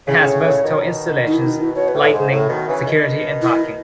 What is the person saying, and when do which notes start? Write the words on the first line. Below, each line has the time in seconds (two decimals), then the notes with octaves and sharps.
It has versatile installations, lightning, security and parking.
0.07 A2 C#3 C#5
0.63 B2 D#3
1.27 D#4
1.33 E4
1.46 D#4
1.60 E4
1.74 B2 C#5
1.88 B4
1.94 A2
2.03 A4
2.12 G#2 G#4
2.31 A2
2.49 B2 D#3
2.67 C#3 E3
2.86 B2 D#3
3.42 E4